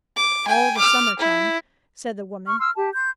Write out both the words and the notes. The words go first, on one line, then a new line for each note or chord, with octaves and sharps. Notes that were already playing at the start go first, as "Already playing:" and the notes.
'All the summer-time,' said the woman.
D6
G5 G#5
D6 F6
E4
C#6 F6
C6 E6 F6
G4 A5
C6 G6